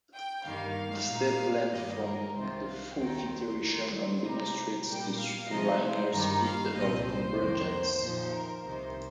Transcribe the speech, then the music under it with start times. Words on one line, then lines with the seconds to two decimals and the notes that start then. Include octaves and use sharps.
The step length from the fourth iteration on demonstrates the superlinear speed of convergence.
0.15 G5
0.46 G2 D#3 G3 A#3 F5
1.10 A#2 A#3 D#4
1.73 G2 D#3 G3 D#5
2.04 A#4
2.35 C2 C3 D#3 C4 F4 C5
2.67 F5
2.98 D#2 D#3 C4 D#4 G5
3.30 C6
3.61 D#2 D#3 A#3 D#4
4.24 C3 G3 C4 D#4 A#5
4.87 A#2 G3 A#3 G5
5.18 F5
5.50 C3 F3 D#4 D#5
5.82 C5
6.13 G2 D#3 G3 D#4 A#5
6.44 F5
6.77 C2 A#2 F3 C4 D#5
7.07 C5
7.39 F2 D#3 A#3
8.02 A#2 F3 D#4
8.34 A#4
8.65 C2 C3 D#3 A#3 D#4 C5